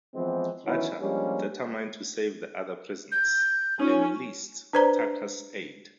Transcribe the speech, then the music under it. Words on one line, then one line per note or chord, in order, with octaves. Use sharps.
Archer, determined to save the other prisoners, enlists Tucker's aid.
E3 F3 G#3 B3 C4
D#3 E3 F#3 B3 C#4 E4
F3 G3 G#3 A#3 C#4 D4
G6
C#4 D#4 F4
D4 B4 C5 D5 A#5